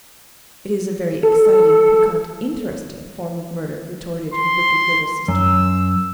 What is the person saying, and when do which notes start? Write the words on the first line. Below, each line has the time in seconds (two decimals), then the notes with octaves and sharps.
"It is a very exciting, piquant, interesting form of murder," retorted her wicked little sister.
1.23 A4
4.34 C6
5.28 F#2 E6